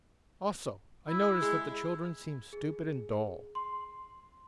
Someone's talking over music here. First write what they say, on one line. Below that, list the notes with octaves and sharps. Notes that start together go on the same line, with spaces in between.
Also, I notice that the children seem stupid and dull.
E4
G#3
G#4
C6